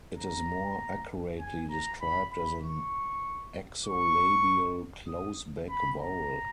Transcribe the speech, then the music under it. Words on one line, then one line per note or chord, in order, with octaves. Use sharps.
It is more accurately described as an exolabial close back vowel.
A#5
G#5
A#5
B5
B5
C#6
C#6
D#6
B5
A#5